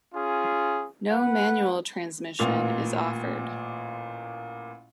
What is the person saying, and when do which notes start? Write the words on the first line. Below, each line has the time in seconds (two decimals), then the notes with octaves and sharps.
No manual transmission is offered.
0.14 C#4 F4 G#4
1.11 B4 F#5
2.39 A1 A#2 F4 F7